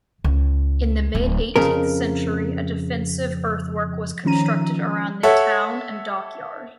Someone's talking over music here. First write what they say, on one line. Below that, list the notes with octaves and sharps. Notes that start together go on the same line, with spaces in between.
In the mid-eighteenth century a defensive earthwork was constructed around the town and dockyard.
C#2
D1
F2 C#3 A#4
D#3 F3 C#4 A#5 D#7
A4 C#5 E5 F#5